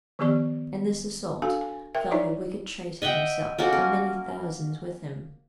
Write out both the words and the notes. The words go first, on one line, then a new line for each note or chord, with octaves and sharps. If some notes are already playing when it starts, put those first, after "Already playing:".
In this assault fell the wicked traitor himself, and many thousands with him.
D#3 F3 B3 G4 D5 C#6
D4 F#4 A4 F5 G#5
G#5
A#4 E5 G5
D#4 E4 C#5 D5 E5 A#5
D#5 E5 F#5 G5
A#3 C#4 F#4 A4
A#4